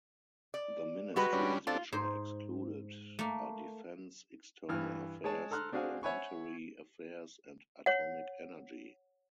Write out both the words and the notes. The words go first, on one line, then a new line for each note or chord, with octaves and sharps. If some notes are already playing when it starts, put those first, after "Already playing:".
The ministries which are excluded are defence, external affairs, parliamentary affairs and atomic energy.
D5
G3 G#3 F#4 B4
G3 C#4 D4
C4 D4 F4 A4
G#2 C5
A3 A#3
G2 E3 F6
G#3 G#4 C#5 A5
A4 A#5 C6 F6 F#6
C4 D4 F#4 G#4 F5 G#5
C#5 E5 F#5 G#5 B5 C#6
C#5 F#5